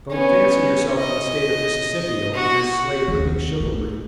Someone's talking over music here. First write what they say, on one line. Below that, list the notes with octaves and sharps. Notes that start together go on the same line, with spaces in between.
Don't fancy yourself in the state of Mississippi--among your slave-whipping chivalry.
B3 C#4
D#5
F#4
D#2
A3